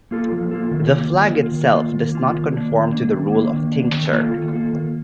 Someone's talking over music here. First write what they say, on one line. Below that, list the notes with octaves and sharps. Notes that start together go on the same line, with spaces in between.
The flag itself does not conform to the rule of tincture.
A#3 F4 A4
F3
A#3 F4 A4
D#3
A#3 F4
D#3
A#3 F4
D#3
A#3 F4
D#3
A#3 F4
D#3
A#3 D4
D#3
A#3 D4
D#3
A#3 D4
D#3
A#3 D4
D#3
A#3 F4 A4
D#3
A#3 F4 A4
D#3